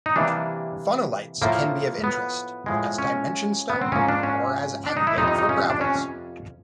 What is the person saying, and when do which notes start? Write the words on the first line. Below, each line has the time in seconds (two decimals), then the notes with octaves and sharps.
Phonolites can be of interest as dimension stone or as aggregate for gravels.
0.06 D#4
0.16 C3 E3 G3 A#3 D4
1.42 A2 F3 A3 A#3
2.04 B3
2.66 A2 F3 G#3
2.99 C#4
3.70 B3
3.82 C4
3.92 G#2 F3 A#3 C#4
4.08 D4
4.23 C#4
4.86 D4
4.97 D#4
5.07 E4
5.17 F2 C3 F3 A#3 D#4
5.28 D#4
5.39 D#4
5.49 C#4
5.70 D4
5.81 C#4